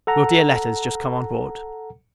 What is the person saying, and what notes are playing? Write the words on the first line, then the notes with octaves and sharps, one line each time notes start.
Your dear letters just come on board.
A4 F#5 A#5